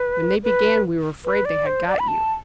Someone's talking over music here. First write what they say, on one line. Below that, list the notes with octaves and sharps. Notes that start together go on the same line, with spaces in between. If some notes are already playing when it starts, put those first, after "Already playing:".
When they began we were afraid they had got you.
Already playing: B4
B4
B4
D5
C5
D5
B5
A5